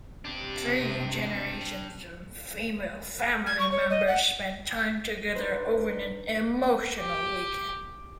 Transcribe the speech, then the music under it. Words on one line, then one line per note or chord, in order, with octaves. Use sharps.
Three generations of female family members spend time together over an emotional weekend.
C3 D4 G4
G#6
C#6
C#5
D#5
F#5
D4 D#4 B4 C5
G4